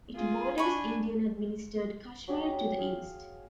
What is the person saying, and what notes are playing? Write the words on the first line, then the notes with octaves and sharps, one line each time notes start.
It borders Indian-administered Kashmir to the east.
F4 G#4
D4 G#5 B5 C#6
F#3 G4 G#4
G#4 F5